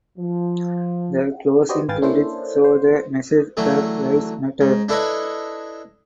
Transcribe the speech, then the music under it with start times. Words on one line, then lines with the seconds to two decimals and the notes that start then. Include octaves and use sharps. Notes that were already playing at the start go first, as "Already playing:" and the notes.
The closing credits show the message Black Lives Matter.
0.18 F3
1.69 F#4 G4 B4 C5 D5 D#5
1.88 G#1 B4 F5 G5 G#5 A6
2.02 A#3 C#4 D4 E4 A4 C5
2.64 C5
3.57 D3 E3 F#3 A3
4.61 G#2
4.89 D4 E4 A4 B4 C#5 D#5